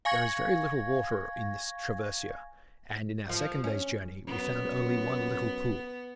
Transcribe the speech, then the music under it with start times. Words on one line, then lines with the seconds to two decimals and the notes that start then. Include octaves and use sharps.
There is very little water in this "traversia," and in our second day's journey we found only one little pool.
0.05 F5 G#5 C#6 G#6 A#6
3.29 F3
3.64 C#4
4.27 F#2 B3